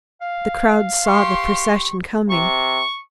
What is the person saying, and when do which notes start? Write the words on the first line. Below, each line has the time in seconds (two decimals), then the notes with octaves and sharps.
The crowds saw the procession coming.
0.21 F5
1.06 G4 C6 C#6
2.30 C3 C#6